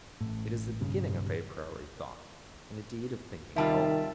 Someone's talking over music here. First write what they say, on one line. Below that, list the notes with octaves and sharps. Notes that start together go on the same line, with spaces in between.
It is the beginning of a priori thought, and indeed of thinking at all.
A1 A2
B1 G2 C#3
C3 D#3 G3 F4 E5 A5